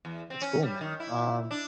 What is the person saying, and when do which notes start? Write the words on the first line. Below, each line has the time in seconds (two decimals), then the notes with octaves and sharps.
that's cool, man. Um
0.05 E2
0.30 C4
0.42 C#4
0.63 G3
0.81 D#3
1.00 E4
1.51 D4